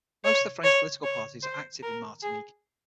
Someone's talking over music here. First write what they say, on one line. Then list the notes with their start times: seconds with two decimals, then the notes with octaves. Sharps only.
Most of the French political parties are active in Martinique.
0.25 C#5
0.64 C#5
1.04 C#5
1.43 C5
1.83 A#4
2.23 G#4